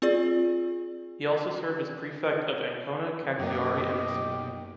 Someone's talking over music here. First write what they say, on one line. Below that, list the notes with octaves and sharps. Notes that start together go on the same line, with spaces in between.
He also served as prefect of Ancona, Cagliari, and Messina.
C4 F4 G#4 D5
F#2 B2 A#3 D#4 G4 D#5